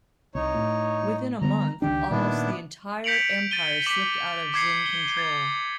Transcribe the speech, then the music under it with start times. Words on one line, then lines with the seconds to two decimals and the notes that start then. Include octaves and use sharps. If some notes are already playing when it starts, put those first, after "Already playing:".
Within a month, almost the entire empire slipped out of Xin control.
0.35 C2 D#4 C#5
0.54 A2
1.42 D3 G3 B3 A#5
1.82 C#2 D#3 D4 G4
2.11 A#2 D#3 B3 D4 E4
3.04 G6 B6 C#7 D7 F7 F#7
3.51 A6 D#7 G7
3.86 D6 B6 F#7
4.54 D6 G#6 C7 C#7
4.86 C#7 G7
5.17 G#6 A6